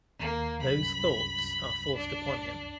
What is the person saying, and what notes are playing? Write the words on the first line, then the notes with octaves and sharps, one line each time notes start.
Those thoughts are forced upon him.
D#2 A#3
C2 F#2 B5
D4